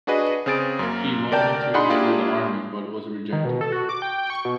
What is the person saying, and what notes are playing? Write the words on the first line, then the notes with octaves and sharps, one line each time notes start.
He volunteered for the army but was rejected.
D4 F#4 G#4 B4 D#5
C#3 C4 G#4 A6 D7
F#2 A#3
D2 A#4 D5 G5 A5 G6
D4 D#4 G#4 F#5 B5 C6
A#3 D4 E4 F4 G4 G#4
D#3
B2
A4
F#4
D6
G5
G5
C#6
B2